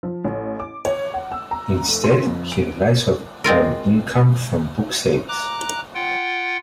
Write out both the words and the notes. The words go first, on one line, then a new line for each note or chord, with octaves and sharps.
Instead, he relies on income from book sales.
F3
A1
D6
C#5
F#5
E6
A#5
F1
C6
F2
D7
G#3 C4 F4 A#4
A#5 D6 F#6
F4 F#5 G5